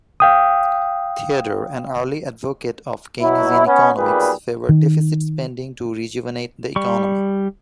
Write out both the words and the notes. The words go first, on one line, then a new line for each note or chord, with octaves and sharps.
Theodore, an early advocate of Keynesian economics, favoured deficit spending to rejuvenate the economy.
F5 G5 D#6
B2 F#3 E4
B3 C#4
B1 A#2 G3 G#4 B4
D#3
G3 C#6